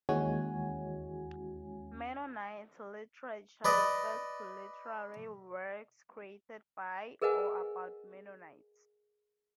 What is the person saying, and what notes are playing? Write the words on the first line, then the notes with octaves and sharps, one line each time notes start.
Mennonite literature refers to literary works created by or about Mennonites.
D#2 E3 G#3 C#4 F#4 G#5
B4 D5 D#5
G#4 A#4 B4 D#5 F#5 G#5